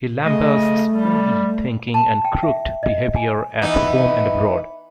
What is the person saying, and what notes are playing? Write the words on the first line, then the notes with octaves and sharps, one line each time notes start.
He lambasts woolly thinking and crooked behaviour at home and abroad.
C#3 A3 D#5
G3
A5
G5
E5
D#5
G#5
E3 B3 D#4